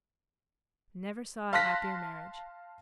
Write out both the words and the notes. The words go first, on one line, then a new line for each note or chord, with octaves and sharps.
"Never saw a happier marriage."
F5 A5 C6 F#6 A#6 B6